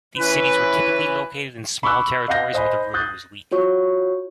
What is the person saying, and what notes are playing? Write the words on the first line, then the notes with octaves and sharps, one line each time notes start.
These cities were typically located in small territories where the ruler was weak.
E3 C#4 B4
B5 C#6 D6 E6 F#6
D#5 F5 F#5 G6 A#6
C5 D#5 G#5 B5
D#6 F#6 G6 A6
F4 F#4 C#5 C#6